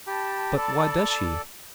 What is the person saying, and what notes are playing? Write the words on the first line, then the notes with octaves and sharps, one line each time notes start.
"But why does she?"
G4 A5 B5
A4 D5